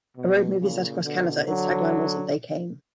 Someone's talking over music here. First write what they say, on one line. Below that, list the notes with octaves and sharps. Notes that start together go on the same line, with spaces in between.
A road movie set across Canada, its tagline was They came.
B2
A#2 C#3
B2 D3
D3 F#3